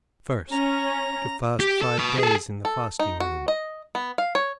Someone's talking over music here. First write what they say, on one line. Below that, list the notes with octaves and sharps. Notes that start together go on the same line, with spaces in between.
First.--To fast five days in the fasting room.
C#4 A#5
G4
A4
B4 D#5
G#4 A4
A4
D#4
F#4
D#5
B3
F5
C#5